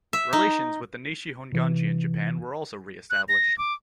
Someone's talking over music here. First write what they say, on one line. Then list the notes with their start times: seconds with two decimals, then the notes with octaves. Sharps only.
Relations with the Nishi Honganji in Japan were also reestablished.
0.13 E5
0.33 D#4
1.52 C3 E3
3.10 F#6
3.29 A#6
3.58 D6